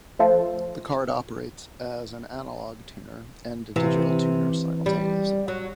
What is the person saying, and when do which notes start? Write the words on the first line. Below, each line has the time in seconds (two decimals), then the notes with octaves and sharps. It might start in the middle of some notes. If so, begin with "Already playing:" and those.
The card operates as an analog tuner and a digital tuner simultaneously.
0.19 F3 A3 F4 A4 C5
3.76 C3 E3
4.86 G3
5.48 F#3